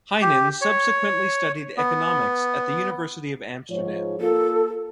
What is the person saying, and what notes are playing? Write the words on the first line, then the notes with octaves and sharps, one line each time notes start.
Heinen subsequently studied economics at the University of Amsterdam.
G4
C#5
B3
G#2 F3 C#5
A#3 F4 A4